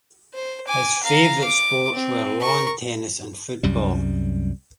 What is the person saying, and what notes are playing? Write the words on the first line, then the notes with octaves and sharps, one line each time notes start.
His favourite sports were lawn tennis and football.
C5
G#5 D6
F5 A#5
D6
C4
A#4 C#6
C2 F#2 G3